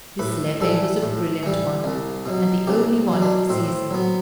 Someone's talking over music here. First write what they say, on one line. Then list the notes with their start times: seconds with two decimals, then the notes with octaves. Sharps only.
This levee was a brilliant one, and the only one of the season.
0.19 A2 B4
0.61 E3 G3 A4
1.03 A2
1.43 E3 G3
1.84 C2
2.26 B2 F#3
2.67 C2 G4
3.08 B2 F#3
3.22 D4
3.49 A2 C4
3.91 F#3 B3